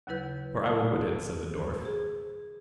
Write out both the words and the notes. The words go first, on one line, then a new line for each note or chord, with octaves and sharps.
For I would wit it, said the dwarf.
D#2 C#3 F#3 E4 B4 G6
A5 D#6
G#4